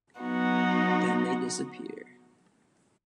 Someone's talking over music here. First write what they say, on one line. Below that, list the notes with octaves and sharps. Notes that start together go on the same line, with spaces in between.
Then they disappear.
F#3 B3 D#4 F#4